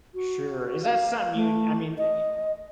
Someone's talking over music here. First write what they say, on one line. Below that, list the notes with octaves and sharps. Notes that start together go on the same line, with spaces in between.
Sure. Is that something you, I mean,
F#4
F5
A3
D#5